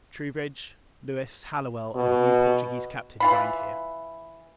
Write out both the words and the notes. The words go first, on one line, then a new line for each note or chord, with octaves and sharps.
Troubridge, Louis, Hallowell, and the new Portuguese Captain, dined here.
B2
E3 F4 B5